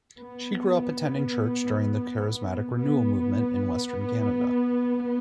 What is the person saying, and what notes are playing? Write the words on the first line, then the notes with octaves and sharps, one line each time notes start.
She grew up attending church during the charismatic renewal movement in Western Canada.
B3
B3